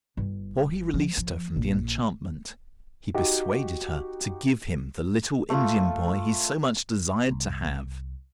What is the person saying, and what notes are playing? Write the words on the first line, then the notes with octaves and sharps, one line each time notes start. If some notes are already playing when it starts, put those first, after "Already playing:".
And before he released her from the enchantment, he persuaded her to give him the little Indian boy he so much desired to have.
G1
F3
F3
A#1
D#4 F#4 G4
A3 F4
C2